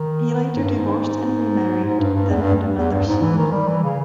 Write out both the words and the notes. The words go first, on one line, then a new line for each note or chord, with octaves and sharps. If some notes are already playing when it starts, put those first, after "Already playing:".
He later divorced and remarried, then had another son.
Already playing: D#3
G#2
G2
G#2
G#2
G2
G2
E2
G2
E2
G2
G#2
E3
D#3
G3
E3
C#3